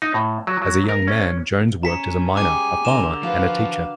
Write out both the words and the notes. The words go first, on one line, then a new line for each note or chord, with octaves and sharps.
As a young man, Jones worked as a miner, a farmer, and a teacher.
D#4
A2
F#3
F#3
A#4
C#4
C#4 A#5 B6 C#7
G3 G#3 G#4 G#5 D6
D3 A#4 E7 F7 G7
F3 F#4 B4 F5